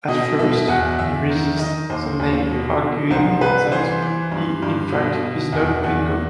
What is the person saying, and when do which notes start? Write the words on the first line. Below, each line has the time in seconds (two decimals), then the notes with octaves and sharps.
At first he resists the name, arguing that he, in fact, is not Bingo.
0.08 B2 D#5
0.39 B2 E5
0.68 E2 F#5
0.99 E2 E5
1.29 D#3
1.59 D#3 D#5
1.90 D#2 C5
2.20 D#2
2.51 B2
2.81 B2
3.11 C2 C5
3.41 C2 B4
3.72 E3 C5
4.02 E3
4.32 G2
4.62 G2
4.92 B2
5.23 B2
5.53 E2 E5
5.83 E2 F#5